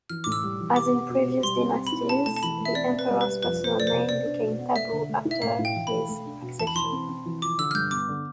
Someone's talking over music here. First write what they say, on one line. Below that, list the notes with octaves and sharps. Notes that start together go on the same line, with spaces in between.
As in previous dynasties, the emperor's personal name became taboo after his accession.
E3 F6
A2 D6
E6
G3
E3
G4 D6
B3
B2
G4
G3 C6
C4
C4
B5
E4
C4 A5
A3 A5
A5
E3 B5
A3
E5
C4 D5
C4
B4
G3
G3 B4
F2 B4
F2 C5
F2 D5
C5
C3
B3 D5
D4
B2
B3
A3 E5
D3
A3
E4
E5
A2 F5
A2
G5
E3
E3 B5
A3
D4
B2
E2 A5
B5
E3 C6
C4
C4
E3
F3 D6
D3 E6
F6
G2 G6
B3 D6
D3